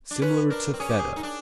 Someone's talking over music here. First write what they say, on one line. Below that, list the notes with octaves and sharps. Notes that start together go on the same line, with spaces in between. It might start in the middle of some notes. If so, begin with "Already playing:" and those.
Similar to Feta.
D4
C#4 B4
D4 A#4
C4
C#4 G#4
G4
G#4
D#4
D4